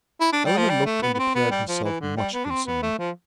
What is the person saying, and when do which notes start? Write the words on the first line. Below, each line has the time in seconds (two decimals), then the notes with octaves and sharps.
Eleanor looked and declared herself much concerned.
0.20 E4
0.33 D4
0.46 G3
0.58 F3
0.69 G3
0.86 A3
1.03 B3
1.14 B3
1.19 C4
1.35 B3
1.51 G3
1.68 F3
1.84 E3
2.01 D3
2.17 G3
2.34 B3
2.45 D4
2.50 C4
2.67 B3
2.83 A3
2.99 F3